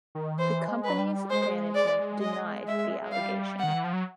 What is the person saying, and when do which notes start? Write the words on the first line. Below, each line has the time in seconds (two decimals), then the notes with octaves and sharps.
The company's management denied the allegation.
0.15 D#3
0.38 E3 C5
0.68 G#3
0.84 F#3 B4
0.98 G3
1.30 G#3 C5
1.75 D5
2.21 D#5
2.67 E5
3.02 G#3
3.12 G3 F5
3.59 D#3 F#5
3.73 E3
3.84 F3
3.93 F#3